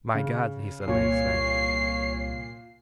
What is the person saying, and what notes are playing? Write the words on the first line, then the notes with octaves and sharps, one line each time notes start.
'My God!' he suddenly exclaimed.
C#3
C2 A#2 C#5 C7